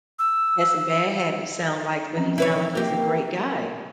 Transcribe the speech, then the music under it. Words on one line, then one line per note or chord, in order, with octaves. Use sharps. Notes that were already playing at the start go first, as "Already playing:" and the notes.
Had some bad habits sound like, but he sound like he's a great guy.
E6
F3 C4 C#4
E4 B4 C#5
A#3 G4